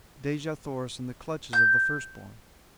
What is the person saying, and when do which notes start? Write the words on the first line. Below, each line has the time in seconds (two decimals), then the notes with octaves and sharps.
Dejah Thoris in the clutches of the First Born!
1.53 G6